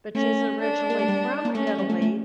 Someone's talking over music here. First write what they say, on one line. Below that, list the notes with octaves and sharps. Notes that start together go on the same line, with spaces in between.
but she's originally from Italy,
A3 C#4
D4
A#3
A3
G3
A#3
A3 C#4
A3
G3
A3
A3